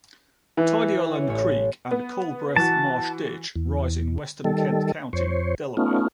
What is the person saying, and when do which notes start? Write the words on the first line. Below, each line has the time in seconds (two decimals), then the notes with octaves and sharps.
Tidy Island Creek and Culbreth Marsh Ditch rise in western Kent County, Delaware.
0.57 E3
1.15 C#5
1.28 A1 C#5
1.91 B3
2.56 E3 F#4 A5
3.56 E2
4.44 D#3 G3 A4
5.13 F2 C5 C#5
5.77 A3 B3 C#4 D#4 F4